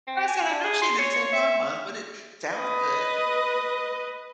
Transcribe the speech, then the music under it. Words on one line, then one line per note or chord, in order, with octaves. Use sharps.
I said, "I know she didn't say bonbons." But it sounds good.
C4
G#5
D4
G#4
C6
C#5
C#5
E5
B4 D#5